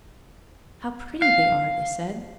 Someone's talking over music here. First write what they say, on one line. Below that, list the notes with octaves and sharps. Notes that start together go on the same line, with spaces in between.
"How pretty they are!" they said.
F5